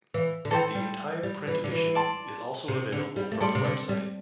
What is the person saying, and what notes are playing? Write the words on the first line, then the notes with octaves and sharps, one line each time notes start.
The entire print edition is also available from the website.
E3
D3
E3 A4 C5 G5
G3
G3
E3
D3
E3
D5 A5 C6
C3
D3
G3
A3
G3 A4 D5 C6
C3
D3
G3